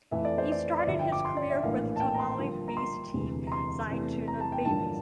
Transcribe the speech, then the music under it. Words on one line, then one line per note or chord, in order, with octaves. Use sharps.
He started his career with Tamale based team Zaytuna Babies.
F2 E3 A3 E5
D5
C5
D5
D5
G1 G2 F3 E5
G5
D6
C6
D5
E5
A#1 A2 E3 A#3 F5
A5
G5
A#5
C6
G1 G2 F3 A#3
A#5
C6
E1 D2 C3 E3
A#5
C6
E2 C3 E3 A3
A#5
A5
G5
A1 G2 D3 F3 A#3 A5